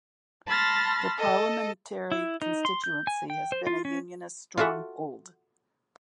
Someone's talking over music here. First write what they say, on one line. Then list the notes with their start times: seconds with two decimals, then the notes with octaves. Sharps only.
The parliamentary constituency has been a Unionist stronghold.
0.47 A5 B5 C6 F6 A6 A#6
1.18 A4 D#5
2.12 E4
2.42 D#4
2.65 C6
2.84 G6
3.07 G#5
3.30 G5
3.52 C5
3.67 F4
3.85 C#4
4.57 F4 F#4 A4 E5 F#5